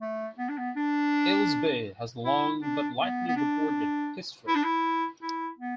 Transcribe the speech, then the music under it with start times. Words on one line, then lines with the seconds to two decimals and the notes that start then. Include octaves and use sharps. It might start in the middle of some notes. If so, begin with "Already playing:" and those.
Aylesbeare has a long, but lightly recorded, history.
0.02 A3
0.39 B3
0.49 D4
0.58 B3
0.76 D4
2.25 E4
2.62 D4
2.99 B3
3.28 B3
3.36 D4
4.48 E4
4.55 D4
4.63 E4
5.22 E4
5.59 B3